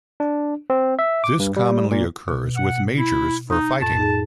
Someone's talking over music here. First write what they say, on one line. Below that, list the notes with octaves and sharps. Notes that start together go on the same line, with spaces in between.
This commonly occurs with majors for fighting.
D4
C4
E5
D6
G2
G3
A#2
B2
F#5
E4
D#4 D#6
F2 A2 A5
D#4 G#4